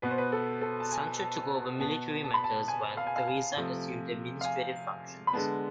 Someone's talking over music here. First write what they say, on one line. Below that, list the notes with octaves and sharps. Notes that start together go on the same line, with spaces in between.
Sancho took over military matters, while Theresa assumed administrative functions.
B2 B3 B4
C5
B4
A4
A4
A5
G#5
A5
A5
B2 B3 A5
A5
B5
A5
G#5
F5
G#5
F5
G#5
C3 F3 A3
F5
G#5
B5
D3 G#3 B3 A5